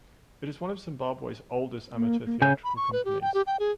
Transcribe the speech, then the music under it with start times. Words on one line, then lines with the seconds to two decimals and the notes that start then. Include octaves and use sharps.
It is one of Zimbabwe's oldest amateur theatrical companies.
1.96 A#3
2.26 A#3
2.42 C#3 C#5 G#5 G6
2.63 B5
2.77 C#6
2.93 B4
3.05 G4
3.22 G5
3.34 G4
3.47 G5
3.60 G#4